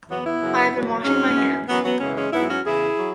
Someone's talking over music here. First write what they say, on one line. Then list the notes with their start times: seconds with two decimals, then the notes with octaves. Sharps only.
I have been washing my hands.
0.08 E2 E3 F#3 B3
0.25 B3 E4
0.41 F#2 C#3 F#3
0.72 E2 B2 F#3
1.04 G#2 F#3 G#3 C#4
1.36 F#2 E3
1.68 F#2 E3 F#3 B3
1.84 F#3 B3
2.00 F#2 C#3 E3 G#3 C#4
2.16 G#3 C#4
2.32 G#2 F#3 B3 E4
2.48 C#4 F#4
2.64 E2 C#3 E3 E4 G#4
2.99 F#3